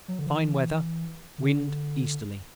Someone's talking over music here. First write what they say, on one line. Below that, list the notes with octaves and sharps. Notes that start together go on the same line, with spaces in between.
Fine weather: wind easterly.
F#3
D3
E3
D3